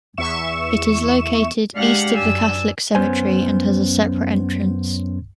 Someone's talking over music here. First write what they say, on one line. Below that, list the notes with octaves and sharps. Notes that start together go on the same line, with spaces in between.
It is located east of the Catholic cemetery and has a separate entrance.
E2 E5 C#6 E7
G#3 D4 G4 F5 F#5 F6
F#2 D4 G#5 E6
F#2 B3 C#4 C5 G#5